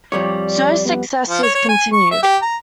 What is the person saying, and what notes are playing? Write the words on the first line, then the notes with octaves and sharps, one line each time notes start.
Zuo's successes continued.
F2 G3 C#5 D5
B3
F3
C#5
C#5
G#5
C#6
E5
G4
A#5